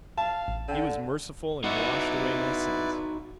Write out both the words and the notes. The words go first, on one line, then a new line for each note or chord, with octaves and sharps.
He was merciful and washed away my sins.
F5 A5
A1
D3 G5 E6
D#4 E4 F#4 B4 D5